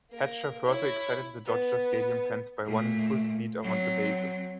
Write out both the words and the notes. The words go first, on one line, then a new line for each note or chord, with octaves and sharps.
Hatcher further excited the Dodger stadium fans by running full speed around the bases.
A#3 A#4
E4 C#5
B3
A#2 A3
F#3 C4